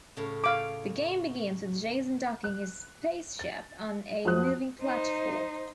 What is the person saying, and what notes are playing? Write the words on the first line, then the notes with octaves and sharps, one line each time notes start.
The game begins with Jason docking his spaceship on a moving platform.
A2 C#3
C#5 F5 B5 D6
F#6
A6
F2 F#3 F#4 C5 D#6 F#6
D#4 C5